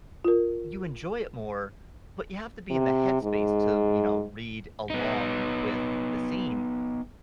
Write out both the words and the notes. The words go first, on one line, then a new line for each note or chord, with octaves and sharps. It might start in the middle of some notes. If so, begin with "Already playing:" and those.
you enjoy it more, but you have to be in the headspace to, you know, read along with the scene.
F4 A#4
C3
G#2
B3 D#4